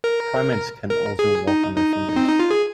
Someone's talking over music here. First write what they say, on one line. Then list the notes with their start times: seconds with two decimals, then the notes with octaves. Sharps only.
Primates can also walk on their fingers.
0.04 A#4
0.90 A#4
1.19 G#4
1.47 D#4
1.77 D#4
2.16 C4
2.28 D#4
2.39 F4
2.51 G#4